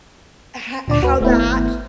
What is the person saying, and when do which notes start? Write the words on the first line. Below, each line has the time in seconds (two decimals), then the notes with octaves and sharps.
ho how that,
0.88 D2 A#2 D4 D5
1.03 D2 F#4 B4
1.21 D1 A3 B3 E4
1.36 G#1